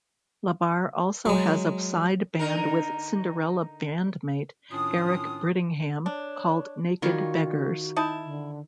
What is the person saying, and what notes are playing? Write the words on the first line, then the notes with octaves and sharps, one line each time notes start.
LaBar also has a side band with Cinderella bandmate Eric Brittingham called Naked Beggars.
F#3 G#3
D3 D#4 A#4
A2 D#3 C#4 D4 F4 D#6
D4 C#5
D#3 G3 F4 F#4 C#5
D#4 E4 A5
D3